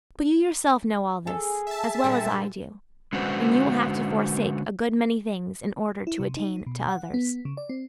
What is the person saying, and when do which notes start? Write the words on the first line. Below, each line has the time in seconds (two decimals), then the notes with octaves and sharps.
But you yourself know all this as well as I do, and you will have to forsake a good many things in order to attain to others.
1.27 G#4 A4
1.67 E5 A5
2.04 A#2 D3 G3
3.13 D3 G#3 C#4 F#4 B4 C5
6.07 E4
6.20 C3
6.37 D#4
6.67 B2
6.89 F#5
7.14 B3
7.45 C#3
7.57 D5
7.69 C4